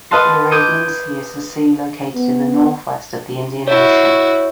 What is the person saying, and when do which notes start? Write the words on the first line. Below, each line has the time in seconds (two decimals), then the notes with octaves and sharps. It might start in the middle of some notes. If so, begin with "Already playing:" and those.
The Arabian Sea is a sea located in the northwest of the Indian Ocean.
0.11 B4 D#5 F5 F#5 A5 C6
0.51 D6 D#6 G6 G#6 D7 D#7
2.15 B3
3.68 E4 F#4 C#5